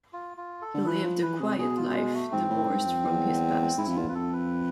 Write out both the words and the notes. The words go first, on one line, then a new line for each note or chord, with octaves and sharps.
He lived a quiet life divorced from his past.
F4
F4
A4
D3
E3 B4
F3
E3 B4
C3 G#4
B2 G#4
F4
G#3
A3
G#2 C4
A2
G#2
F2
E2
G#2 E4
F2
E2 F4
F2 B4
A4
B4